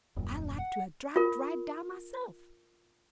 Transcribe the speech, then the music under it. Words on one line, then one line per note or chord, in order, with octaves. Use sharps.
I like to 'a' drapped right down myself!
D#1 F#2 A#2
F#5
F4 A#4